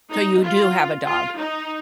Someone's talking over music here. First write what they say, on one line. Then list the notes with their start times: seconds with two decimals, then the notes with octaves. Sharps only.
So you do have a dog?
0.11 D#4
0.43 F4
1.06 F4
1.37 D#4